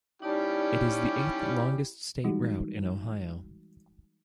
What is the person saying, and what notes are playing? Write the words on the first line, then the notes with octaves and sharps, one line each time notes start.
It is the eighth longest state route in Ohio.
G3 C#4 D#4 E4 G4 D5 A5
E3 G3 G#3 D#4 F#4